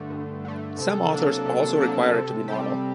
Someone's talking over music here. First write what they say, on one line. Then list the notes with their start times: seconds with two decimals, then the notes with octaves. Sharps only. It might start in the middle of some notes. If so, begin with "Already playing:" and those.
Some authors also require it to be normal.
Already playing: G2 D3 A3
0.10 G2
0.45 D3 A3
0.79 C3 A4
1.12 F#3 A#3 D4
1.46 C3
1.81 F#3 A#3 D4
2.14 C3
2.48 G3 C4 G4